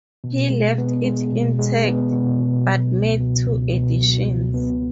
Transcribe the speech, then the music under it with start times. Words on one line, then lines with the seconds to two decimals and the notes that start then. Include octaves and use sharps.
He left it intact, but made two additions.
0.24 B2
0.50 G#3
0.78 B3
1.04 G#3
1.32 B2
1.59 G#3
1.85 B3
2.12 B2
2.40 B2
2.66 F#3
2.93 C#2
3.20 B2
3.47 C#2
3.74 B2
4.01 F#3
4.27 C#2
4.54 B3